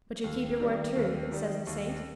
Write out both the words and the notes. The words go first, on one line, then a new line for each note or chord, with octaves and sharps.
"But you'll keep your word true," says the saint.
D#2
D#3 G3
D#2
D#3 G3
D#2